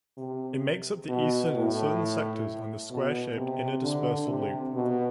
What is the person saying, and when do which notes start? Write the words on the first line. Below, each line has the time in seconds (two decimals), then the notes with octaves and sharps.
It makes up the eastern and southern sections on the square-shaped Inner Dispersal Loop.
0.17 C3
1.09 B2
1.54 A2
2.90 B2
3.37 C3
3.82 D3
4.28 C3
4.74 B2